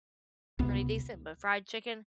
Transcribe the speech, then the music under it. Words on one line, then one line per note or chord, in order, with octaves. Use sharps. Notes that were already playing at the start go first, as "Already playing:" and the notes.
pretty decent. But fried chicken,
C#2 C3 B3